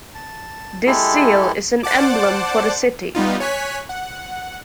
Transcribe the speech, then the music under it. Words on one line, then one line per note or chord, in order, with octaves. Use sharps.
This seal is an emblem for the city.
A5
G#3 E4 G4 A4
C5 D5 F#5 A5 D6
G3 B3 D#4 F4
C#5 G#5 F#6 B6
F#5